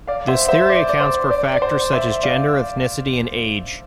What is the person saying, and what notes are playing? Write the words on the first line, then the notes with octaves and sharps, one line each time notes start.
This theory accounts for factors such as gender, ethnicity and age.
D5 F5
C5 E5
C5 E5
D5
D5
C5
D5
D5
C5
C5 E5
D5 F5